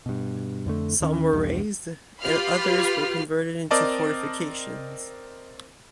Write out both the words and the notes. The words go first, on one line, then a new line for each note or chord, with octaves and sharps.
Some were razed, and others were converted into fortifications.
G2 B2
F2 D3 A3
D#2 D#3 C#4
B1 E2 G2
F4 G4 B4 B5 F6 C7
C4 A#4 D5 D#5 A5